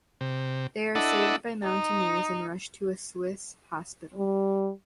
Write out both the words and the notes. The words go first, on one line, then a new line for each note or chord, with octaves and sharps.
They are saved by mountaineers and rushed to a Swiss hospital.
C3
D4 E4 A4 D#5 F#5
D#4
G3